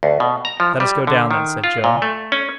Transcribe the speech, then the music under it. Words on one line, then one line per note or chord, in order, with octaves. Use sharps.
"Let us go down, then!" said Joe.
D2
B2
A#5
F3
G3
D3
D#3
F4
A#2
A3
C#4